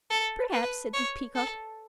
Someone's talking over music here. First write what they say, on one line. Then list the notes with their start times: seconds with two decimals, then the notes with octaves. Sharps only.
"Perhaps," said the Peacock.
0.10 A4
0.53 B4
0.94 C#5
1.35 A4